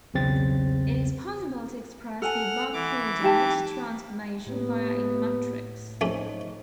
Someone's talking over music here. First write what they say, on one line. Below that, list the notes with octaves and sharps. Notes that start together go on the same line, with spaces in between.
It is possible to express the above coordinate transformation via a matrix.
B1 E2 C#3 C4 A6
A4 F#5 G#5 F6
E3 D6
D#4 G4 A5
A2 A#3 B3 G4
A#1 A3 C#4 D#4 C5 C#5 C#6